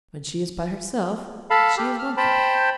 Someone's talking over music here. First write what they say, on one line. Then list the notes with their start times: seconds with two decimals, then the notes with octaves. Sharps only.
When she is by herself, she is one thing.
1.50 A4 F5 A5 B5
1.77 G4
1.99 F6
2.17 C5 G5 A5 B5